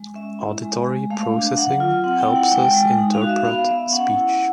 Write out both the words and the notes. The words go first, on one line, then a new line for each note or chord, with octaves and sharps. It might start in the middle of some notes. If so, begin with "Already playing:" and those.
Auditory processing helps us interpret speech.
Already playing: G#3
C#4 E5
E4
G#3
G#3
A3 F5
D4
F#3 F#5
F4
C4 F#5
G5
E4
F#5
G#3 G5
G#3
D#4
F5
F#4
E5
B3 F5
B3 E5
C#4 F#5
E4